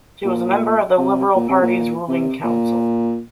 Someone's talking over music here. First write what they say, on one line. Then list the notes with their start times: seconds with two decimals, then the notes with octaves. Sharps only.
She was a member of the Liberal Party's ruling Council.
0.25 A#2
0.98 C3
1.35 A#2
1.49 C3
1.62 A#2
2.08 C3
2.44 A#2